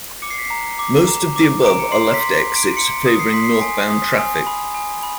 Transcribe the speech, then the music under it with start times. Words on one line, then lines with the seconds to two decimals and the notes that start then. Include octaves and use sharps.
Most of the above are left exits favoring northbound traffic.
0.22 D6 C#7
0.30 C7
0.38 B6
0.45 C7
0.50 A#5
0.79 D6
1.07 A#5
1.36 D6
1.64 A#5 D7
1.79 C#7
1.92 C6 C7
2.14 B6
2.21 C6
2.49 C6
2.56 D7
2.77 C6 C#7
3.06 D#6
3.20 C7
3.32 C6 B6
3.44 C7
3.62 G#5
3.90 D#6
4.19 G#5
4.47 B5
4.75 G#5
5.03 B5